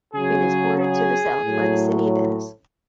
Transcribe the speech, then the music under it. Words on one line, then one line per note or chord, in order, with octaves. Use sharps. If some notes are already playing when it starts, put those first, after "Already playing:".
It is bordered to the south by the city of Ennis.
C#3 F#3 G#4
G#4
A2 F#3